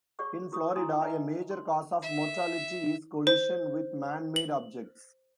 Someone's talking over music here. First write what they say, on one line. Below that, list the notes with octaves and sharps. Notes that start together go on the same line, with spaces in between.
In Florida a major cause of mortality is collision with man-made objects.
G4 G#4 C#5 D5 F#5 C#6
E4 F#4 A#4 C#6 D#6
D#4 E4 G#5 A#5 C6 D#6
D#4 B4 D#5 E5 G#5 A#5
C6
E5
C5
F#7